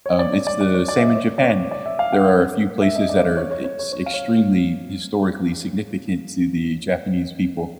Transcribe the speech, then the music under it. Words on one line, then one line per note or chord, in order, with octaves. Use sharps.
Um, it's the same in Japan, there are a few places that are ex extremely historically significant to the Japanese people,
C#5
D5
D5
D5
D5
C#5
D5
E5
D#5
C#5
D5
C#5
D5
E5
F5
F#5
E5
D#5
D5
C5
C#5
C#5
C#5
C#5
C#5
F5
C#5